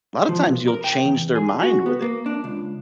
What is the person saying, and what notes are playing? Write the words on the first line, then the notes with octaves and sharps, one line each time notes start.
lotta times you'll change their mind with it.
F3
B1
A#4
G5
E2
G#4
F#4
B3
A#3
D4
C#2